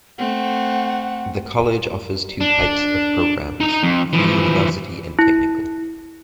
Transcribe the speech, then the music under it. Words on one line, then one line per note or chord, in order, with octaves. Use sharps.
The college offers two types of programs: pre-university and technical.
A3 C4 F#5
D4
D#4 A#5
F2
E3 F3
E4